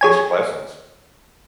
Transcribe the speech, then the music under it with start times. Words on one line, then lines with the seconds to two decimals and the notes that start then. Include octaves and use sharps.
basic lessons,
0.01 G#4 C#5 G#5